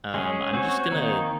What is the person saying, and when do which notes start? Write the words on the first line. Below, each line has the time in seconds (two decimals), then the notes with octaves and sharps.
um, I'm just gonna
0.14 G#3 C#4 G#4
0.53 C4 F#4 C#5
0.92 D#3 A#3 D#4